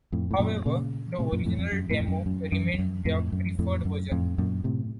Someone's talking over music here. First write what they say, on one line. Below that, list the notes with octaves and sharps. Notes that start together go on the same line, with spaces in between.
However, the original demo remained their preferred version.
F2 A2
A2
F#2 A#2
A#2 C#3
A2 C3
F#2 A#2
F2 A2
F2
F#2
F2 A2
F2
F#2
F#2
F#2
F2
F#2
F2 A2
F#2
F2 A2
F#2
F2 A2
F#2 A#2
A2 C3